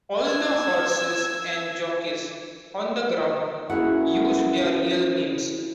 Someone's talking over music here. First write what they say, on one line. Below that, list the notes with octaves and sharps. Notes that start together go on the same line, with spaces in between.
All the horses and jockeys on the ground used their real names.
E6 G#6
A#3 C#4 E4 F#4 G#4 F#5